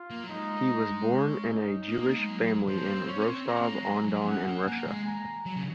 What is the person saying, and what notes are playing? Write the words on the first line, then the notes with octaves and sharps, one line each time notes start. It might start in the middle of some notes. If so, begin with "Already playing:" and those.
He was born in a Jewish family in Rostov-on-Don in Russia.
Already playing: F4
A#3
F#3
G#3 D#4
C#4
D#4
A#3
A#3
A#3
G#3
F#3
F3 C5
G#3
A#3
C4
C#4 C#5
C#4
C4
C4 A#5
A#3
G#3
F#3
G#3 G#5
F#3
F#3
F3
C#4 F#5
C4
A#3 G#5
G#3
A#5
F#3
C#3